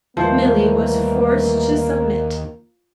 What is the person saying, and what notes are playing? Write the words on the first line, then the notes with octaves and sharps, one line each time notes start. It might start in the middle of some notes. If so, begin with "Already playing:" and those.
Milly was forced to submit.
D#2 E3 F3 G3 A3 A#3 C5